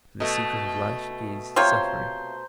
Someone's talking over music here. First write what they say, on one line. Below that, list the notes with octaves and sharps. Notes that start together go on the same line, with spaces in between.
For the secret of life is suffering.
B2 A3
C3 F4 C5 C#5 A#5 C6